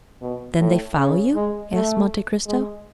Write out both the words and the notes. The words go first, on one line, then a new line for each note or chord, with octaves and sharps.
"Then they follow you?" asked Monte Cristo.
B2
A2
C#3
G#3
A3
G#3